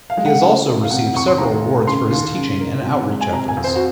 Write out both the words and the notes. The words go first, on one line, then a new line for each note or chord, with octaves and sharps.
He has also received several awards for his teaching and outreach efforts.
F5
G#3
F#5
C#3
A#3
F5
C3 F#5
F2 C#6
C6
D#2 A#5
F1
C#3 C6
D#2
C#3
A#3
C3
G#3
G#5
C3 A#5
G#5
F2
C5
F#4